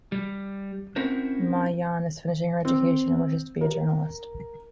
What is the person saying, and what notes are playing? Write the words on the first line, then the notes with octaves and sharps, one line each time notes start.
Ma Yan is finishing her education and wishes to be a journalist.
G3
C4 C#4 E4 F#4 A#4 C5
C4
A#4